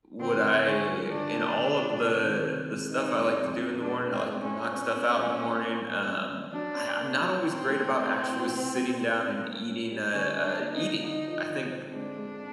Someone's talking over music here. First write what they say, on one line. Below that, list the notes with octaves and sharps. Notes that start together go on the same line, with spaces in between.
would I in all of the the stuff I like to do in the morning, I like to knock stuff out in the morning, um I I'm not always great about actually sitting down and eating, uh uh eating! I think,
D3 C4
D3
D3 C#4
F3
D3 D4
A#3
D3
F3
C3
D#3
C3
G#3
C3 D#4
G#3
F2
F2
G#3 D4
B2
C4
G#3
C#4
G#3
C4 C#4
B2
B2
C4
A#3
A#3
C#4
C#4
F#3 D4
C#4
A#3
F#3
E3 C4
A3
E3
A3
E3
C3
E2
A3
C#4
A#3
C#4
G3
D3 C#4
C#4
D4
A#3
D#4
D3
D3 D#4
F3
D3
C4
G#3 D4
G#3